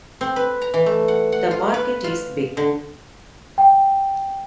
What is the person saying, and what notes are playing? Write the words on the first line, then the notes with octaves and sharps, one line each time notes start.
The market is big.
C4
B4
A#5
E3
A3
F#5
F#5
F4
B4
F4
D3
G5